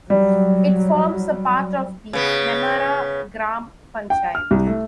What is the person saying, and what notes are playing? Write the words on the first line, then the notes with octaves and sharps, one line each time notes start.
It forms a part of the Nemmara gram panchayat.
F#3 G3
C#3 B3
G5
F6
C2
A3